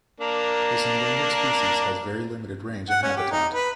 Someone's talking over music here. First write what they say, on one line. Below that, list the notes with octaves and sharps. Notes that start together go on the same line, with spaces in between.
This endangered species has very limited range and habitat.
A#3 D4 A#4
F#5
C#4
G4
D#4
B4